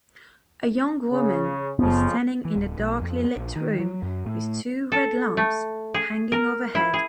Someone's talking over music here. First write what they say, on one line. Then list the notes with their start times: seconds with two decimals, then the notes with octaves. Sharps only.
A young woman is standing in a darklylit room with two red lamps hanging overhead.
1.12 C#3
1.79 F#1 F2 C#3 F3 B3
2.45 E3
2.56 D1
2.79 B1
3.01 F2
3.24 B3
3.36 A#1
3.56 D#3
3.80 F#3
4.03 F#2
4.26 A2
4.92 A4
5.37 A3
5.94 G#4
6.32 A#4
6.75 E4
6.94 G#4